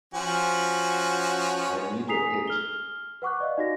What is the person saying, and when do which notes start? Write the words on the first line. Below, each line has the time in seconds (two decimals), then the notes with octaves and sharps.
I need a hit.
0.14 F3 C#4 F#4
2.08 G#5 A#5 D#6 B6 C7 F7
2.48 F6 G7
3.22 B4 F#5 C#6 D6 F#6
3.40 D5 D#5 F5
3.58 D#4 F#4 A#6